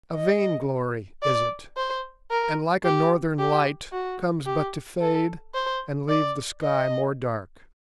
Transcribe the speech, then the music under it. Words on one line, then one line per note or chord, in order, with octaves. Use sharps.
A vainglory is it, and like a northern light, comes but to fade and leave the sky more dark.
D#5
D5
C5
A#4
G4
G4
F#4
G4
A4
C5
D5
D#5